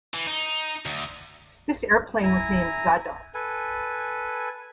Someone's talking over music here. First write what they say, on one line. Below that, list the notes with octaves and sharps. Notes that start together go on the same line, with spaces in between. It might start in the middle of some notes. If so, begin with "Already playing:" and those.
This airplane was named "Zadar".
E3
D#4
D2
E4 G#5 A#5
A4 B4 G#5